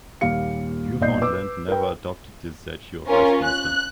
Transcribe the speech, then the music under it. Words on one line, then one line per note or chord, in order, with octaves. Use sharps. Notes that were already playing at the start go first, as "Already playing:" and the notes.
Newfoundland never adopted the Statute of Westminster.
D#2 A#2 G3 F5 C#7
B1 A#2 D5 D#5 G6 C7
B4 D6 E6
A#4 B4 G5
C#4 F4 A#4
F#6